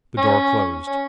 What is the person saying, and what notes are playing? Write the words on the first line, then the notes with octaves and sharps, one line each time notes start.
The door closed.
C#4
C#4